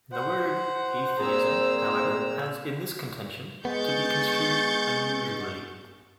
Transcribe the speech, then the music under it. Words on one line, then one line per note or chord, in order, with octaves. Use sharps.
The word 'atheism', however, has in this contention to be construed unusually.
C5 F#5
A#2 C4 G#4 A#5 E6
G#3 B3 C#6 G6 A6